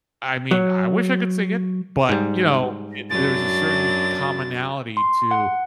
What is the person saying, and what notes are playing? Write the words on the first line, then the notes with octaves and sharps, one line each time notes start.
I mean I wish I could sing it, but, you know, it there's a certain commonality to
F#3
G#2 G3
F#2 F#3 D4 A6
C6
F#5